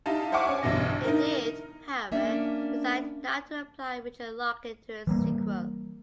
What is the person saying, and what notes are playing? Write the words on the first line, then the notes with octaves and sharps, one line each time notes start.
They did, however, decide not to apply region-locking to its sequel.
D#4 E4 G4 F5 A5
C5 E5 F#5 G#5 C#6 D6
C#4 G#5
B1 G2 B2 D3 E3 A#6
D#4 E4 A#4
A#3 C#4 D4 E5
E3 G3 A#3